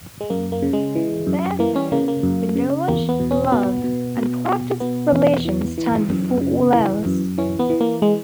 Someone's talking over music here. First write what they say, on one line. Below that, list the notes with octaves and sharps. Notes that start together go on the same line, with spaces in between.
Therefore, the knowledge, love and practice of religion stand before all else.
G#3
F#2 A#3
A#3
C#3
G#3
E3
F#2
E3 A#3
C#4
C#3 A#3
A#3
F#2
C#3
E2 A#3
B3
B2
C#4
C#4
B2 B3
B2
B2
B2
B2 B3
E2
E3
E3
F#2
C#3
E3
F#2
E3 C#4
B3
E3
A#3
G#3